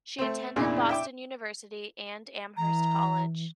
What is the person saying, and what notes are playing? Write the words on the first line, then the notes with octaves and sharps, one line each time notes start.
She attended Boston University and Amherst College.
A3 C4
E2 A#2 C#3 D4 E4
E5 G5 D6
E3 A#5